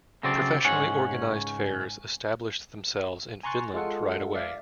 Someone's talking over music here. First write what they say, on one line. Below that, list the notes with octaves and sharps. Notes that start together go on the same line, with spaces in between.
Professionally organised fairs established themselves in Finland right away.
D2 C#3 F#3 C4 C5 D5
C#2 G#2 C#4 F#5
G#5 A#5 C6 C#6 F#6 A6
G#3 F4 A4 F#5
D5 E5 F5